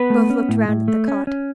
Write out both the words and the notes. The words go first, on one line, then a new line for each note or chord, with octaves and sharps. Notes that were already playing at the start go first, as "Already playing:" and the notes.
Both looked round at the cot.
Already playing: B3 B4
A3
C#4
A2
A2
A3
C#4
C#4